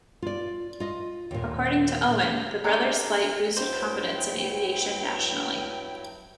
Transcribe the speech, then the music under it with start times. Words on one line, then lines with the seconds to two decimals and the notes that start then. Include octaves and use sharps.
According to Owen, the brothers' flight boosted confidence in aviation nationally.
0.22 F4 D5
0.80 F4 D#5
1.31 D#2 A#2
2.64 D4 G4 A4 A#4 A#5
3.56 G2 F#3 E4 C5 G5